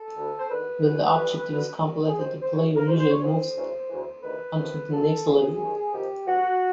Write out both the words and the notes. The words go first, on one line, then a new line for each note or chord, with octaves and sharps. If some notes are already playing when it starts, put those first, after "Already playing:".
When the objective is completed, the player usually moves on to the next level.
Already playing: A4
D2 D3
C5
D#2 D3 B4
E2 B2
G2 E3
F#2 D3
C2 A#2 A#4
G#4
D#2 D#3 C5
C5
F#2 C#3 E3 C#5
A#4
C#2 B2 C5
C5
C#5
F2 C#3 E3 C5
D2 C#3 E3
D2 C#3 E3
D2 C3 D#3 B4
F2 C3 D#3
F#2 D#3 A4
E2 B2 G#4
D#2 D#3
F2 C3 D#3 G4
G2 E3 F#4